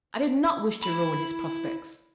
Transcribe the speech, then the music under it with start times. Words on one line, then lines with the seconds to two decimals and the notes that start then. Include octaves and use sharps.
I did not wish to ruin his prospects.'
0.84 E4 B5